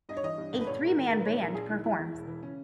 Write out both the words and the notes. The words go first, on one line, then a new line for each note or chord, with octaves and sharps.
A threeman band performs.
G2 D#5
C#5
E3 D#5
G2
G1
B4
A#1 C#5
G#2 A#4
D#3
A#1 A#4
B4
D#3 C#5
A#1 A#4
A#1 G#4
D#3 E4
E2 E4
E3
E1
E3
C#3 C#4